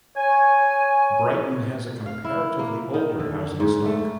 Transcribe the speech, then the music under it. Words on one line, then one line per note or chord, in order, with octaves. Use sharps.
Brighton has a comparatively older housing stock.
C#5 G#5
F5
E4
A#3
D#3
D3
G#2
A3